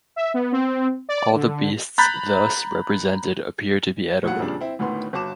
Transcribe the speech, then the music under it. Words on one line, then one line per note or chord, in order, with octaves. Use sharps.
All the beasts thus represented appear to be edible.
E5
B3
C4
D5
D3
A#5 B5 F#6 G6 A6 B6
A#1 D#2 A2 F#3 F#5
F2 A#2 C#3 G3 D4
C4 E4
D2 A2 D#3 B3 C6
G1 F#4 A5 D6 E7